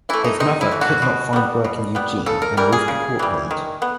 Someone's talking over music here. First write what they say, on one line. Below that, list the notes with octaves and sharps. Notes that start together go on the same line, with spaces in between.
His mother could not find work in Eugene and moved to Portland.
E3 A3 E4
D#4
C3 D#4
E4
E3 A3
F#4
B2
G3 B3
B2
G3 B3
C#3 A4
A#4
E3 G3 A#4
G#4
C#3
E3 G3
D#3
B3